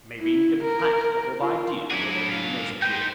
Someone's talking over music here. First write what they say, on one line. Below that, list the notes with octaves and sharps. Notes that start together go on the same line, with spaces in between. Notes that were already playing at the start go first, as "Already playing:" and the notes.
Maybe you can plant a couple of ideas where they'll do the most good.
E4
A#4
F4
F#3 D4 E4 F#4 G#4
G#2 F5
D#4 B4 C5 G5